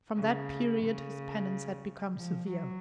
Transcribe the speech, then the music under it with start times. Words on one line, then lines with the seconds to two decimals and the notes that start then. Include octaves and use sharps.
From that period his penance had become severe.
0.17 C#3
0.83 C#3
2.16 F3
2.49 F#3